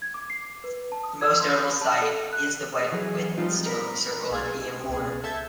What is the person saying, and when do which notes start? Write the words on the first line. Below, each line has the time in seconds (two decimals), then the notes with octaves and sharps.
The most notable site is the Wet Withens stone circle on Eyam Moor.
0.02 G#6
0.14 D6
0.30 C7
0.64 B4
0.92 A5
1.03 D#6
1.21 G#6
1.40 C6
1.60 D#6
1.81 A5
2.02 A4
2.33 F#6
2.92 E3 F#3 G#4
3.37 F3 G3 G#3 C4 D#4 F4
3.66 A#4 B5
4.30 B1 G#4 G#6
4.89 C#2 B2 G#4
5.23 A4 E5 A5 E6 G6 G#6